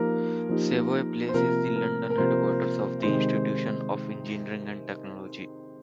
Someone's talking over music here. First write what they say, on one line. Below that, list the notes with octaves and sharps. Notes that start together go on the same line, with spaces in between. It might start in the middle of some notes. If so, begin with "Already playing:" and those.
Savoy Place is the London headquarters of the Institution of Engineering and Technology.
Already playing: F3 A#3 D#4 G4 A#4
F3 A#3 D#4 G4
C5
C3 F3 A#3 F4 A#4
A#4
A#4
C3 F3 A#3 F4 C5
C3 D#3 G#3 D#4 G4 C5